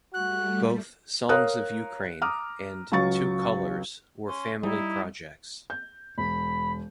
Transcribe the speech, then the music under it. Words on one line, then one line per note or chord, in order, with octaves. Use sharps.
Both "Songs of Ukraine" and "Two Colors" were family projects.
G3 A3 F#4 F#6
A#4 C#5 F5 A#5 D#6 F#6
A#5 D6 D#6 F6
C#2 F#3 C#6 A6
C#4 C6
G3 D#4 E4
G6
E1 B5